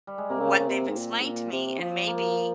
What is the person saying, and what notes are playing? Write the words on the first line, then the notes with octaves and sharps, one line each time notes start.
what they've explained to me, and maybe,
G3
G#3
C3 A#3
C#3 C4
C#3
C3
G#2
A#2
G#2
A#2
C3
F3
A#3